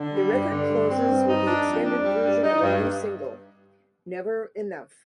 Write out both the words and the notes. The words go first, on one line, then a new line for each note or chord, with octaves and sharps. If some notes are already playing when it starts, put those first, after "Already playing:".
The record closes with the extended version of a new single, "Never Enough".
Already playing: D3
G3
G2
D3
G2
C4
G2
D#4
D4
F2
D4
G3
G2
D#4
G2